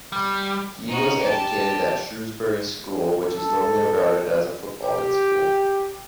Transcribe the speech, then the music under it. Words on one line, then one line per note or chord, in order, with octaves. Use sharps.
He was educated at Shrewsbury School, which is normally regarded as a footballing school.
G3
D#4 F#4
G4 A5
A4
G4